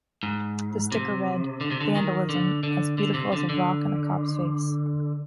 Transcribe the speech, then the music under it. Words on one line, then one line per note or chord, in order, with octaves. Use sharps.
The sticker read: "Vandalism: As beautiful as a rock in a cop's face".
G#2
C3
D3
C3
D3
D#3
D3
D3
D3
C3
D3
D3